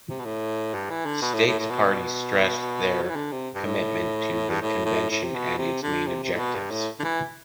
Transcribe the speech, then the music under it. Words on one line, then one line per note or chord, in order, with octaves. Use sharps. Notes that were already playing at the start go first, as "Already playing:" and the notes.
States parties stressed their commitment to the Convention and its main objectives.
C3
B2
A2
G2
E3
D3
B2
A2
A2
A2
B2
F#3
E3
D3
C3
G2
A2
G2
A2
A2
A2
C3
B2
C3
D3
C3
C3
A2
B2
G2
A2
D3
E3